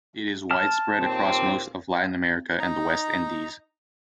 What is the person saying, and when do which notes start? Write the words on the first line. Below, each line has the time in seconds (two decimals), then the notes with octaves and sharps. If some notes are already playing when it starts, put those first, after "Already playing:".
It is widespread across most of Latin America and the West Indies.
0.51 A5 F6
0.98 D#2 A#2 C4
2.59 D#4 A#5